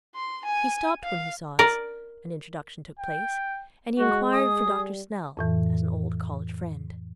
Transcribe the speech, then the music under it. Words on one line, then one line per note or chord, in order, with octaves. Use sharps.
He stopped when he saw us, an introduction took place, and he inquired for Dr. Snell, as an old college friend.
C6
G#5
F5
A#4 D5
G5
G#3 F#4
G#4 D#6
G3
F2 A2 E3